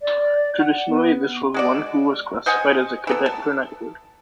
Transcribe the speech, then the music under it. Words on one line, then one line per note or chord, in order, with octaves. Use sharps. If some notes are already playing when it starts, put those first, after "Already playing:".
Traditionally, this was one who was classified as a 'cadet for knighthood'.
D5
F#5
B3
G#3 F#4 D5
C5 D#5 F#5 G#5
E3 B3 A4
A5